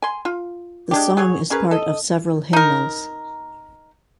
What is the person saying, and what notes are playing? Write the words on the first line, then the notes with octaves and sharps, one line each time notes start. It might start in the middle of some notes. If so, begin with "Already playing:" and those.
The song is part of several hymnals.
G#5 C6
F4
G#3 D4 G4
F#3 G#4 C#5
C#4 G#4 A#4 B4
A4 D#5
D#4 A#4